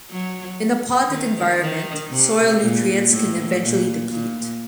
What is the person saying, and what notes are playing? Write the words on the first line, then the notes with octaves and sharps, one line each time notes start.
In a potted environment, soil nutrients can eventually deplete.
F#3
D#3
D#3
C3
A#2
A2
A#2
A#2